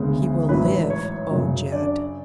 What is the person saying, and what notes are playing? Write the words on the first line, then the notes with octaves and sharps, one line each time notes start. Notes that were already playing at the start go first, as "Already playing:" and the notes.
"He will live, O Jed."
Already playing: D2 C#3 G#3 B3
A1 G#2 F#3 B4
C#5
F#2 C#3 F#3
D4 D5